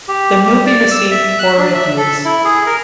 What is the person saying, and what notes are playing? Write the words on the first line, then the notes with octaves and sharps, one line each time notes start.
The movie received poor reviews.
G4
G4
D5
E6
E5
F#6
D4
E5
A4
E4
G#4
A#4